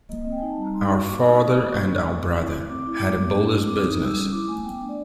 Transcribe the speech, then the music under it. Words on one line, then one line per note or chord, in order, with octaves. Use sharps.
Our father and our brother had a builder's business.
A#3 D#5
C4 D#5
G5
G#5
D#4
A5
G3 A#5
D#4 C6
F#4 C#6
A#3 D6
D#4 D#6
D#6
F#4
D#6
A#3 D6
D4 C#6
F4
A3
C4
E4
A3
C4 D6
E4
G#3
B3
D4
G#3
C4 D6
D#6
D#4
D#6
G3 E6
C#4
E4 D6
A3 G#5
B3 G5
D4
D5